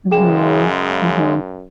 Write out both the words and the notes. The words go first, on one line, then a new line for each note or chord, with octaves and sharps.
Mhm. Mhm.
F#2 C#3 G#3 G#4 G5 E7